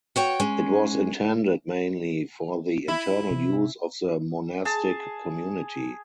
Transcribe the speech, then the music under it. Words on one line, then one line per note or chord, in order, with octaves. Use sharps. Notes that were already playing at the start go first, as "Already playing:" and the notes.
It was intended mainly for the internal use of the monastic community.
F#4 C#5 G5
G#3 C#4
E4
C3
G#4 A5